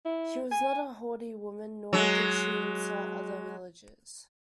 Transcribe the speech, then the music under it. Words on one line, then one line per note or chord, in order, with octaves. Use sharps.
She was not a haughty woman, nor did she insult other villagers.
E4
G#5
F#3 G#3